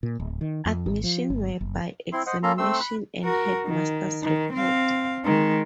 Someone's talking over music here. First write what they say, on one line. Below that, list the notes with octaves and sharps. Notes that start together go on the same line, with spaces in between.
Admissions were by examination and headmasters' reports.
A#2
D1
D#3
F2
G#1
F3
G1
F#1
C4 E4 C6
C5 D#5 F#5
A#3 C#4 A4 A#5 C6
A3 C4 C6 E6
B5 F#6
F#4 A#4
D#3
D#3
C4 F5
D#3 G#3